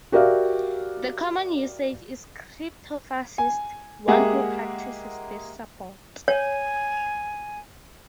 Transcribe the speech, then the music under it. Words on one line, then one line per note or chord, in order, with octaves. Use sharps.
The common usage is "crypto-fascist", one who practices this support.
F#4 G4 A#4 D5 E5 F5
G#5
G#3 A#3 G4 G#4 E5 F#5
C#5 G#5